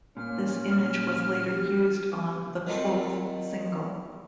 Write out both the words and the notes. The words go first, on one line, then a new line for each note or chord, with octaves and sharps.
This image was later used on the Quoth single.
A#2 C#4 F6
G4
D#3 F3 F#3 A3 C4